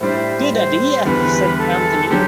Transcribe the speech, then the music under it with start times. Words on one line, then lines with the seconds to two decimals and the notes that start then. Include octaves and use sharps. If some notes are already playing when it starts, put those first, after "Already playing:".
"Good idea," said Anthony.
0.01 A2 G3 D4 C5 E5
0.53 C5
1.05 E2 D3 G3 B4
1.57 A4
2.09 D3 F#3 G4